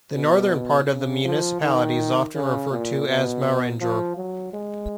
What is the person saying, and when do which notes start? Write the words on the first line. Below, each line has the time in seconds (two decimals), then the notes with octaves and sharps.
The northern part of the municipality is often referred to as Mauranger.
0.16 B2
0.89 C#3
1.25 F3
1.62 D#3
2.35 C#3
2.71 A#2
3.08 B2
3.81 F3
4.17 F#3
4.54 G#3